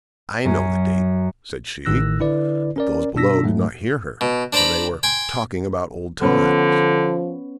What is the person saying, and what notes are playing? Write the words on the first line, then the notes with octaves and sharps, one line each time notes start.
'I know the date,' said she; but those below did not hear her, for they were talking about old times.
F#2
A1 A2 D#3 E6 F#6 A#6
D3 E4 B4 D5
C#4 A#4 D5
B2 D4 E6 A#6 B6
G#2 F#3 A3
B2
D4 C5 D5 A#5 B5
G5 G#5 C6
D3 F3 B3 C#4 B4